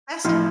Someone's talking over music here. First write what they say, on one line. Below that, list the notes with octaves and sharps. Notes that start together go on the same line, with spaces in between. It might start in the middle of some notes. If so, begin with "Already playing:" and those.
That's it.
A1 A2 F3 F4